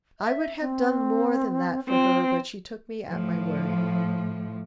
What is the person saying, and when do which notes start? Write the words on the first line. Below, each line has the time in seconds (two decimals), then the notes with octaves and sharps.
I would have done more than that for her, but she took me at my word.
0.19 E5
0.61 C4
1.89 C4 F4
3.07 A2 F3